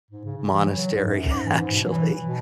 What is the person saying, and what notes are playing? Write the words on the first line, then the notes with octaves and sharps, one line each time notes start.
monastery, actually.
G#2
C#3
C#3
E3
F#3
F#3
G#2
F#2
F#2
G#2
E3
G#2
B2
F#3
E3
B2